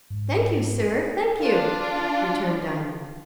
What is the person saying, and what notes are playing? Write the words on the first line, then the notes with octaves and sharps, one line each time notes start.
"Thank you, sir, thank you," returned Diamond.
G#2
D4 F4